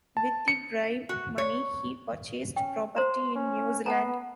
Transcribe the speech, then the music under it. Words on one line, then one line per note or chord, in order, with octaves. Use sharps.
With the bribe money, he purchased property in New Zealand.
A5
C#7
F#4
C#5
C#4 G5
C5 A#5 C6
C#4
B3 F#5 A5 A#5